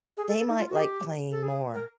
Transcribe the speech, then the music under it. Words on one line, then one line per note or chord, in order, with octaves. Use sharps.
they might like playing more.
G#4
A4
A4
D#4
F4
F#4
G#4
G4
A4
G#4
A#4